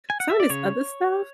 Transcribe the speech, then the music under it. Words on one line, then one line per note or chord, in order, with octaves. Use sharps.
some of this other stuff
G#5
F#5
E5
D5
C#3 C#5